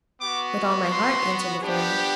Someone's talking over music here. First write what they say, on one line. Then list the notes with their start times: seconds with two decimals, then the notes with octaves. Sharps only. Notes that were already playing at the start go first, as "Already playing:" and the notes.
"With all my heart," answered the Fairy.
0.20 B3 F#4 D6
0.91 C6
1.63 B3 D4 G4